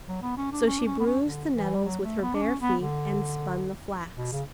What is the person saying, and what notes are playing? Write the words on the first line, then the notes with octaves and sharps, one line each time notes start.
So she bruised the nettles with her bare feet and spun the flax.
F#3
B3
C#4
D4
C#4
D4
C#4
B3
C#4
D3
E3
G3
F#3
A3
B3
D4
C#4
B3
D3
B2
C#3